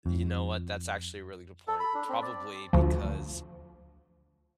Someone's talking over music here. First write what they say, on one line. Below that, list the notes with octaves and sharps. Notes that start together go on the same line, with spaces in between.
You know what? That's actually a really good point. Probably because
F2
A4
B5
D4
C4
D5
D2 F3